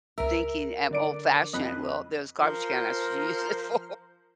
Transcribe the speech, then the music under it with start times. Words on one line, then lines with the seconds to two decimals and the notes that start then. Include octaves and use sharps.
thinking, um, old fashioned, "Well, there's garbage can. That's what you use it for."
0.18 C#2 A#4 E5
0.91 D3 D5 D7
1.53 F2 D#5 B5 F#6
2.42 F3 A#4 C5